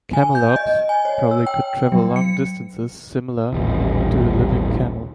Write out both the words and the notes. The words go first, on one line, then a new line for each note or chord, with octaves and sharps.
"Camelops" probably could travel long distances, similar to the living camel.
G#5
G6
D#5
G#5
C#5
E6
G5
F#3
C#7
D#1 A1